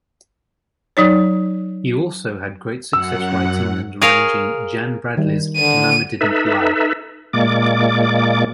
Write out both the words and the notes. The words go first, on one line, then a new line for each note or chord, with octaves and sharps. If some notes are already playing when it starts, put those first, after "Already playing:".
He also had great success writing and arranging Jan Bradley's "Mama Didn't Lie".
F#3 D#4 C#5
F#2 F#5 E6
G#4 A#4 C#5 F5
D#3 G3
D3 D#7
D#4 A4 B4 E5
A#2 G#3 A#3 D5 D6